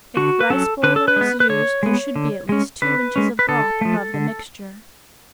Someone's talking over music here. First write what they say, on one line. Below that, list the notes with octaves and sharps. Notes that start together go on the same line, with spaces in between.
If rice boiler is used there should be at least two inches of broth above the mixture.
D3 F#4
B4
F#3 C#4 A4
D3 B4
A4
B4
G#3 B3
B4
D3 C#5
G#3 B3
D3
G#3 C#4
D3 B4
G#3 C#4
B4
D3 A4
F3 A3
D3